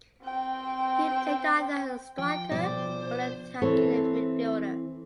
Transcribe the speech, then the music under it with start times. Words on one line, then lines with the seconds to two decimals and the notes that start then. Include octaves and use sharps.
He played either as a striker or an attacking midfielder.
0.24 C4 G5
2.18 F3 G5
2.52 B2 F3 C5 D5
3.62 E3 C4 A4 C#5